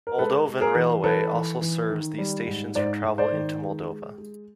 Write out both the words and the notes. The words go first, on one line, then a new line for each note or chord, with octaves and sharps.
Moldovan railway also serves these stations for travel into Moldova.
A#4
G#3 A4 B4
G#3
G#4 A#4
E3
E3 A4 B4
E3
E3
D#3
G3
G#2
G#2 C5 D5
G#2
C5 D5
D#3
G#3
G#3
G#3